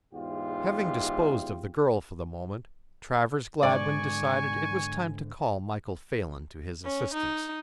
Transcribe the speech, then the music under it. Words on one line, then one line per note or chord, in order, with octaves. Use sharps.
Having disposed of the girl for the moment, Travers Gladwin decided it was time to call Michael Phelan to his assistance.
E2 G#2 F4 G4
G#2 D3 D5 G#5 C#6
C#4
D#4